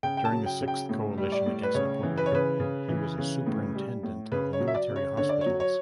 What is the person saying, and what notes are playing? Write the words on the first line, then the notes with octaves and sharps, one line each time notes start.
During the Sixth Coalition against Napoleon, he was a superintendent of military hospitals.
C#3 G5
G5
A5
F#3
G5
C#3
G5
A2
G3
D5
A2
B4
C#3 C#5
E3
B4
C#5
C#3 B4
C#3
E3
C#3
A2
G3
A2
C#3 B4
C#5
F#3
E5
D5
C#3
C#5
D3 C#5
D5
F#3 C#5
C#5